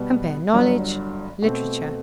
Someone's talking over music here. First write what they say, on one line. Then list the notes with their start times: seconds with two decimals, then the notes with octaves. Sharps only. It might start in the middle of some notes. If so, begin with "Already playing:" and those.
Compare KNOWLEDGE; LITERATURE.
Already playing: B2 G3 B3
0.54 G1 G2 F#3
1.42 B2 A3 C4